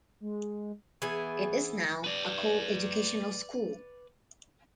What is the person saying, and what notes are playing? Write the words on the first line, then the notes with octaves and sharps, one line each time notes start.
It is now a co-educational school.
G#3
E3 B3 G#4
B4 D5